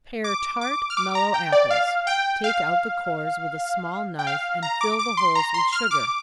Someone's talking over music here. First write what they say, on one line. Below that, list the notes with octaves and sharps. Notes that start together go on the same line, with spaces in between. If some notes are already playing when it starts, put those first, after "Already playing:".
Pare tart, mellow apples--take out the cores with a small knife, and fill the holes with sugar.
D6
D6
F6
D6
A#5
G5
D5
F5
G5
F5
G5
F5
A#5
D6
D6
C6
A#5
C6
F6
D6